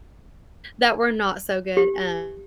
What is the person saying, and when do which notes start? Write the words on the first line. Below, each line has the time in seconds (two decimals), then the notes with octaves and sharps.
that were not so good, uh,
1.77 G4